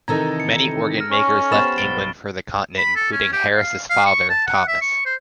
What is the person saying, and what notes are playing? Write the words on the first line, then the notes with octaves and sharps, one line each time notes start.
Many organ makers left England for the continent, including Harris' father, Thomas.
C3 D#3 E3 D#4 A4 A#5 G#6
C#7
F6 A#6
C#4 C#6
B3 G4 C5 B5 A6 E7
B1 A6 D7 E7 G7
B5
A4
C#4
G4
F5
F5
C#6
A5
F#5
E5
C#6
C5